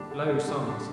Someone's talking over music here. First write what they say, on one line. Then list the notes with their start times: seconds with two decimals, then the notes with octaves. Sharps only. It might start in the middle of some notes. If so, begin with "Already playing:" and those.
Low songs.
Already playing: D3 G3 D4
0.11 D3
0.29 D3
0.48 G3
0.67 D4